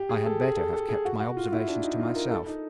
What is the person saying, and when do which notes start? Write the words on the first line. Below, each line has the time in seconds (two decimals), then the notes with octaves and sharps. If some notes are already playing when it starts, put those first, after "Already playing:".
I had better have kept my observations to myself.
Already playing: G4
0.09 G#4
0.26 A4
0.41 G#4
0.57 A4
0.73 A4
0.89 G#4
1.05 F#4
1.20 F#4
1.37 F4
1.52 E4
1.68 D4
1.83 D#4
2.00 F4
2.15 A#4
2.31 A4
2.46 D#4